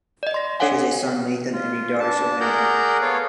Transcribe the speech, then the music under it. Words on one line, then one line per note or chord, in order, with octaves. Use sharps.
She has a son, Nathan, and a daughter, Savannah.
D5 D#5
C6 A#6
D4 A4 C#5 F5 F#5 G#5
F4
D4 A5
G#4 A#4 D5 F#5 A#5 G6
B3 A4 C#5 F5